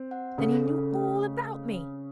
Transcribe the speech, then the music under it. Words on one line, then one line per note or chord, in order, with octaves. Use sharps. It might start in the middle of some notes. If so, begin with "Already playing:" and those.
Then he knew all about me!
Already playing: C4
F#5
C#3 A4
C#4
A3